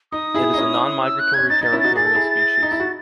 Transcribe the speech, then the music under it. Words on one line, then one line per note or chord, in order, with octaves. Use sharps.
It is a non-migratory territorial species.
D#4 D#6
E4 G#4
D#4
C#4 E4
E6
F#6
C#4 G#6
D#4 A6
D#4 A6
C#4 E4
D#4 F#4 A6
G#4 A6
A4
E4 G#4
D#4
E4
F#4